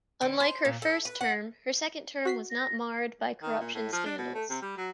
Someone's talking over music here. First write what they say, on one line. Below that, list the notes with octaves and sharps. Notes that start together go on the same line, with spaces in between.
Unlike her first term, her second term was not marred by corruption scandals.
D3
C5
A#2
A4
B4
F#5
F#4 B6 C7
A#6
D#3
A#2
A2
F3
D4
B2
A3
C3
G3
F#3